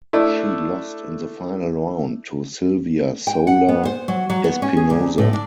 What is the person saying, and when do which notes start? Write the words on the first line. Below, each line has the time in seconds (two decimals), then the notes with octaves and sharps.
She lost in the final round to Silvia Soler Espinosa.
0.13 A3 D4 E4
3.27 G5
3.47 F#5
3.69 B3
3.85 C5
4.08 F#3
4.30 F#3
4.44 B3
4.62 C#4
4.77 G#4
4.90 D2
5.18 A2
5.33 D4